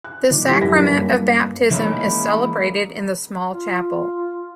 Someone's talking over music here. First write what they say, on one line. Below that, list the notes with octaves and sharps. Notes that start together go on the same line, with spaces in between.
The sacrament of baptism is celebrated in the small chapel.
F#6
A#2 D#3 D6
G3 E4 G4 F#5
F#2 E4 B4 A#6 B6
G2 A#3 C#4
E3 G#3 A#3 C#4 D#4 E4
F4